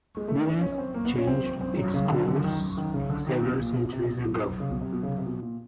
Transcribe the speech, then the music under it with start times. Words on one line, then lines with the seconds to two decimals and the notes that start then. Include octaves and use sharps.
Beas changed its course several centuries ago.
0.17 G#3
0.28 A3
0.44 D4
0.61 C#4
0.72 C#4
0.78 C4
0.94 A#3
1.05 B3
1.18 C#4
1.27 C4
1.61 C4
1.77 F#3
1.94 C#3
2.05 D#3
2.10 D3
2.28 D3
2.44 D#3
2.77 D#3
2.94 C#3
3.10 D3
3.27 D#3
3.36 A#2
3.43 B2
3.60 A#2
3.76 B2
3.93 C3
4.04 C3
4.10 B2
4.60 C#3
4.71 B2
4.81 C3
4.93 B2
5.03 C#3
5.18 C3
5.26 B2
5.42 A#2